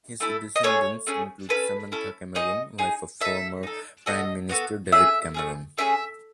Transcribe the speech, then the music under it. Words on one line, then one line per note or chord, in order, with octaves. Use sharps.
His descendants include Samantha Cameron, wife of former Prime Minister David Cameron.
A3 E4 A4
D#5
A3 C#4 G#4 C#5
A3 C#4 G#4
E4 A4 B4
C#4
C#4 E4 A4
D#4 G#4 D#5
D#4 G#4
D#4 A4 E5
D#4 A4
B3 F#4 A4 D#5
B3 F#4 A4
A3 C#4 G#4 E5
A3 C#4 G#4
A3 C#4 G#4 E5